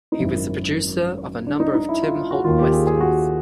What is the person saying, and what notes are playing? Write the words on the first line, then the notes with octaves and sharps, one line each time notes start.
He was the producer of a number of Tim Holt westerns.
D#4
G#1 F#2 D#3 E4
D4
D#4
D#4
E4
F4
F4
F#4
D#2 D#3 F4
G4
G#4
G#4
F#4